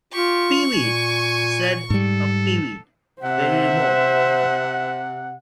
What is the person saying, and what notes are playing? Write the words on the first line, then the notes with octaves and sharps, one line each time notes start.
"Peewit," said a peewit, very remote.
F4 G4 C#6
A#2 G#5
G#2 G3 A4
C3 C5 E5 F#5